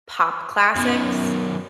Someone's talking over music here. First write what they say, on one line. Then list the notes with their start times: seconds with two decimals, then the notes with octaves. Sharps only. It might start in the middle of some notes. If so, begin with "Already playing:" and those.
pop classics,
0.76 F#2 D#3 B3